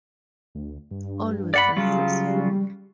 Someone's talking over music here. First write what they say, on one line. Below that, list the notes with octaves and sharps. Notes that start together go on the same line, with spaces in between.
All were successful.
D2
G2
D5 F#5 B5
C#3 F#3 G3 F4